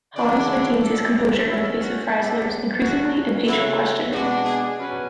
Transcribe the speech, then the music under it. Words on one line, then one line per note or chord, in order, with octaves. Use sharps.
Hans maintains his composure in the face of Freisler's increasingly impatient questioning.
C#3 E3 B3 D4 D5
C#5
B2 A3 D4 A4
A2 F#3 C#4 E4
F#4
A2 G#3 B3 D4 E4
D3 F#3 C#4 F#4
C#3 F#3 A3 E4
B2 G#3 B3 D4 F#4
G#4
B2 F#3 C#4 B4